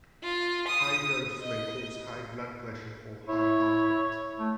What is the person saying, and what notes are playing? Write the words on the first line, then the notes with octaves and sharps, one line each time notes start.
High dose may cause high blood pressure or high heart rate.
F4
D#6
D#5
E4 C#5
A3